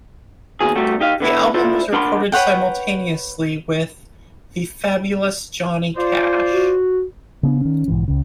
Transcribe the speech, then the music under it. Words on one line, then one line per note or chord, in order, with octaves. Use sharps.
The album was recorded simultaneously with "The Fabulous Johnny Cash".
D#2 B2 G#4
C3 G3 A3 F#4
D#4 G4 D#5 F5
D3 B3 E4
E4 F4 A4 C5 D5
D4 A#4 F#5 B5 C6
B4 C#5 F#5 G5
F4 C5 D5
F#4
C#3 B3 D4
D#3 C#4
B1 G#2 E3
C#2 C#3